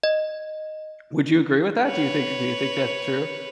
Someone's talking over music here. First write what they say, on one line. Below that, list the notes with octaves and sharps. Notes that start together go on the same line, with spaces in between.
Would you agree with that? Do you think do you think that's true?
D#5
B4 C#5